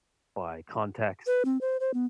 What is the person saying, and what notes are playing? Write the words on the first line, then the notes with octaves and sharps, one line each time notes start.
by context,
B4
C4
C5
C5
B3